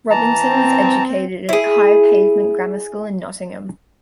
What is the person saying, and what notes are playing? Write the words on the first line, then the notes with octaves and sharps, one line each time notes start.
Robinson was educated at High Pavement Grammar School in Nottingham.
E3 A5 A#5
C4
E4 G#4